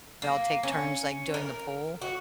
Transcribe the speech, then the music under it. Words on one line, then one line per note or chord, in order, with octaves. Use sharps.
we all take turns, like, doing the pool.
A#3
C#4
A#4
F#4